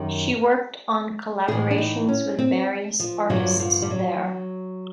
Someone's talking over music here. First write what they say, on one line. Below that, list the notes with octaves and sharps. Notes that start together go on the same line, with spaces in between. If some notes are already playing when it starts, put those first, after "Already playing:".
She worked on collaborations with various artists there.
Already playing: F#2 D#3 G4
A2 E3 G#4
D4
D#4
C#4
C4
F3
G2 D3 F3 F#3
F3
G3
F#3